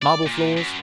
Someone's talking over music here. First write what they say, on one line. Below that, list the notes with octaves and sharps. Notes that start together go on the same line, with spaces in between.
Marble floors.
D5
A#2
F#2